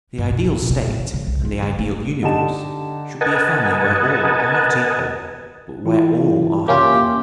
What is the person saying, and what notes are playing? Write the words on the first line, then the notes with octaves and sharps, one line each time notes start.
The ideal state and the ideal universe should be a family where all are not equal, but where all are happy.
G2
B2
F3
A#2
C3
A2
F3
C#3
C2
F4
D3
A3
D3 D#4 G4 A5 E7
A#4 B4 D#5 F#5 G#5 A5
E3 E4 F4
A#3 C#4 F4 G4 E5 G#5 C6